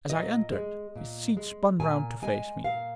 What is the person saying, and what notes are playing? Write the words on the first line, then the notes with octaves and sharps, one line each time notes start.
As I entered, his seat spun round to face me.
A#2 D#5
G#3
A#2
G#3
A#2 G#5
G#3 G#5
A#2 F5